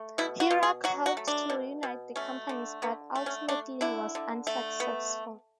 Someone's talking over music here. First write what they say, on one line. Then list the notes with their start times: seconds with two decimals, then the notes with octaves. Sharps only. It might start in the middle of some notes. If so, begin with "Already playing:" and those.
Hurok hoped to reunite the companies, but ultimately was unsuccessful.
Already playing: A3
0.18 B2 E4
0.40 F#4
0.50 B2
0.63 G#4
0.84 F#3 F#4
1.06 F#4
1.17 A3
1.28 D4
1.50 B2
1.83 B2
2.16 A3 C#4
2.49 D3
2.82 D3 B3
3.15 A3
3.26 C#4
3.48 A3 D4
3.81 D3 E4
4.15 D3
4.47 A3
4.80 B3